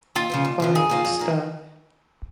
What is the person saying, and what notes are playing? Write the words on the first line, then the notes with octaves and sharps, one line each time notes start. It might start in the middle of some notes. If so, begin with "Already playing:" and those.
Fine stuff.
D#2 F4
C#3 F3 C4
D#2
C#3 F3 C4
F2 G#4
D#3 A#3 F4 C5
F2
D#3 A#3